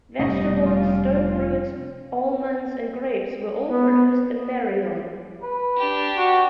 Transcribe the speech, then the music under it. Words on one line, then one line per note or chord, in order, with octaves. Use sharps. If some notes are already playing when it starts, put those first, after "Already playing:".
Vegetables, stone fruits, almonds and grapes were all produced in Marion.
F1 B2 G3 A3 C#4 D#5
F4
B3
B4
D4 G4
F#4